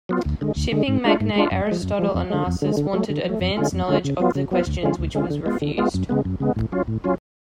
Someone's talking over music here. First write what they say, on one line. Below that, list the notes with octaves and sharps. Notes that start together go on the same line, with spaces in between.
Shipping magnate Aristotle Onassis wanted advance knowledge of the questions which was refused.
F#3 B3 F4
D2
D3 G#3
D2
D3 G#3
G#2
G#3 D4 F4
G#2
G#3 D4 F4
F#2
F3 G#3
F#2
F3 G#3
F2
D3 G#3
F2
D3 G#3
D3
F#3 A3
D3
F#3 A3
F2
D3 G#3 C#4 F4
F2
D3 G#3 C#4 F4
C#3
F#3 B3 F4
C#3
F#3 B3 F4
D2
D3 G#3 C#4 F4
D2
D3 G#3 C#4 F4
D3
G#3 B3 F4
D3
G#3 B3 F4
F#2
C#3 G#3 B3
F#2
C#3 G#3 B3
A2
F#3 C#4 F4
A2
F#3 C#4 F4